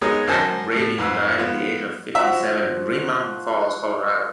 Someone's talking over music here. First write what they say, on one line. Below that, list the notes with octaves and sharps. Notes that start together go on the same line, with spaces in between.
Pat Brady died at the age of fifty-seven in Green Mountain Falls, Colorado.
G#3 B3 D#4 G#4 A#4 C#5
F#2 A#4 C5 G#5 A5
A2 A3
F2 G#2 B4 E6
F3 B3
F3 F#4 E5